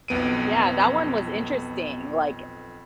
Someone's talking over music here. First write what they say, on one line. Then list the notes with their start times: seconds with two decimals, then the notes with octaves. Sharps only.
Yeah, that one was interesting, like,
0.08 B1 F2 B3 D7 D#7